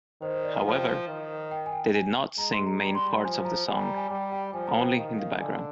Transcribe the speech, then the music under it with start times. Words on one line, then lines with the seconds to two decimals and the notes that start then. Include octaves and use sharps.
However, they did not sing main parts of the song, only in the background.
0.21 D#3 C5
0.34 C5
0.43 D5
0.65 F3 F5
0.75 G5
0.85 F5
1.08 D#3
1.51 G5
1.66 G#5
1.72 G5
1.94 G#5
2.38 G#3 A#5
2.52 C6
2.67 A#5
2.80 G3 A#5
2.95 C6
3.10 A#5
3.24 F3 G#5
3.45 A#5
3.67 G3 G#5
3.82 A#5
3.96 G#5
4.10 G3 G5
4.32 G5
4.53 F3 G#5
4.67 A#5
4.82 G5
4.96 D#3 F5
5.19 F5
5.40 D3 G#5